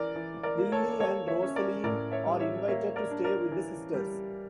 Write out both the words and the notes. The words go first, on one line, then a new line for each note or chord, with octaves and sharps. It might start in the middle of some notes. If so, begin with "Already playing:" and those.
Lily and Rosaleen are invited to stay with the sisters.
Already playing: E3 A#4 D5
E3
A#4 D5
A#3
A4 C#5
A#3 A4 C#5
C#5 E5
C#4
A#4 D5
A2 A#4 D5
C#5 E5
G3
C#5 E5
A#3 C#5 E5
A#4 D5
D4
A#4 D5
E3
G3